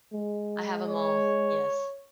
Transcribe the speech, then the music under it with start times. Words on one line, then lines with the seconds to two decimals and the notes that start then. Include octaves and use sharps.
I have 'em all. Yes.
0.13 G#3
0.88 C#5